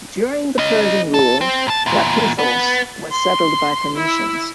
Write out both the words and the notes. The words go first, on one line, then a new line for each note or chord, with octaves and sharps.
During the Persian rule, Lapithos was settled by Phoenicians.
C#4 D#5
A4
C4
A#2 A5
E2 A#2
B3
C6
E4